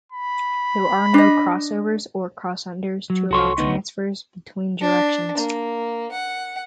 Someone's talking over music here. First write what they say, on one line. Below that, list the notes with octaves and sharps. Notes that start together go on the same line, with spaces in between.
There are no crossovers or crossunders to allow transfers between directions.
B5
D4 D#5
F#3
C2 F#4 A4 C#5 C6 C#6
D2 B3 D#4
D4
A#3
F#5